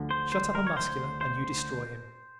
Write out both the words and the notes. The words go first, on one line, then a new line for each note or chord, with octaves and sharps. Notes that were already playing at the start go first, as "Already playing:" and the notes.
Shut up a Muscular and you destroy him.
Already playing: D2 D3 F3
C5
C5
A#4
C#5
C5
C5